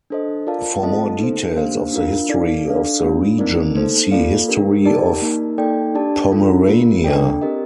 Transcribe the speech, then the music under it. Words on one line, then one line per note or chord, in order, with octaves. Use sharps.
For more details of the history of the region, see History of Pomerania.
D4 A4 C5 D#5
F4 A#4 D5 F5 A5
C4 F4 A4 D#5 A5
D#4 A4 C5
A#3 D4 G4 C5 F5
D4 F4 A#4 F5
D#4 A4 D5 F5
D4 A4 D5 F5
A3 D4 F4
A3 C4 D#4 A#4 D5
A#3 D#4 A4 C5
A#3 F4 A4 D5 F5
D4 G4 A#4
D#4 G4 A#4 D5 A5
A#3 D#4 A#4
A#3 D#4 A4 D5 G5
D4 G4 D5 A5
D4 F4 A4
A#3 F4 A#4
D4 A4 D5 G5
C4 G4 A#4 D#5